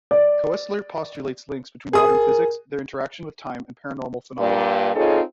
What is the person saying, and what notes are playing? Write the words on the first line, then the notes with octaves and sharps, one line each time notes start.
Koestler postulates links between modern physics, their interaction with time and paranormal phenomena.
D5
G#4 A#4 D#6
G2 A#2
C4 D#4 F4 G#4 A4 C#5